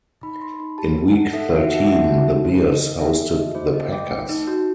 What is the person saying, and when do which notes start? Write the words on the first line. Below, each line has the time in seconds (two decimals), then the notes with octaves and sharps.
In Week Thirteen, the Bears hosted the Packers.
0.23 D#4 B5
0.42 D#4 C6
0.60 D#4 B5
0.78 G4 A5
0.97 D#4 A5
1.16 D#4 F#5
1.33 A4 E5
1.41 F#5
1.48 E5
1.52 F#4 F#5
1.63 E5
1.70 D#4 F#5
1.78 E5
1.85 F#5
1.89 D#4 E5
2.08 F#4
2.26 D#4
2.44 A4 C5
2.62 D#4
2.72 D#5
2.81 D#4
2.99 A4 E5
3.18 D#4 E5
3.36 F#4 D#5
3.55 A3 C5
3.73 A3 D#5
3.92 A3 G5
4.10 A3
4.29 D#4
4.47 F#4